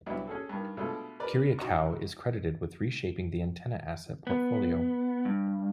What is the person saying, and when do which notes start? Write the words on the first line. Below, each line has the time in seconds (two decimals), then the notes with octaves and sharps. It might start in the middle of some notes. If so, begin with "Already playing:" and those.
Kyriakou is credited with reshaping the Antenna asset portfolio.
0.06 C2 F#3 B3 D4 E4 E5
0.27 C#4 G#4 A4
0.49 G2 D#3
0.77 B2 G#3 A3 D4 F4 A4
1.20 A#4 B4 D5
1.58 D4 D#4 F#4 A#5 C#6
4.27 B3
5.25 G2